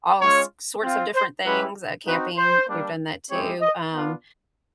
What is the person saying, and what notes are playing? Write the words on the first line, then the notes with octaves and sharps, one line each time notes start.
all s sorts of different things. Uh, camping, we've done that too. Um,
G#3 C#4 F4 C#5
C4 F4
C5
G#3 C#4 E4 G4 B4
C4 D#4 F#4 B4
C5
G3 A#3 D4
G#3 C4 E4 G4 C#5
D#5
B3 D4 F4